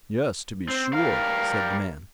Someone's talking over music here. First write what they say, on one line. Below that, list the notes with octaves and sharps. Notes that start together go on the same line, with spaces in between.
'Yes, to be sure', said the man.
C4 C5
G3 A#4 F5